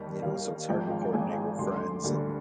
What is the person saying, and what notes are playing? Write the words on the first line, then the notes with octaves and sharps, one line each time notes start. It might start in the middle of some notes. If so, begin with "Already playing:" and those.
you know, so it's hard to coordinate with friends and,
Already playing: D#2 D#3 G3
D#2 D#3 G3 F5
G#1 G#2 F3 G5
F5
G5
G#1 G#2 F3 G#5
D2 D3 G3 C6
D6
C6
D2 D3 G3